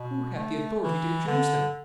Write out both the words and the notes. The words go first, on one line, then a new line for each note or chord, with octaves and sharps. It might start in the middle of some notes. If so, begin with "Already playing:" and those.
Who had the authority to introduce them?
Already playing: B2
A3
E3
D3